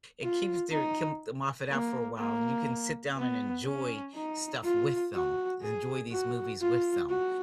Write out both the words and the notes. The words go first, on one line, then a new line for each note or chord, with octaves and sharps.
It keeps their keep them off it out for a while, and you can sit down and enjoy stuff with them, enjoy these movies with them,
F4
D#4
A#3
A#3
B3
C#4
D#4
F4
F#4
G#4
F#4
F4
F#4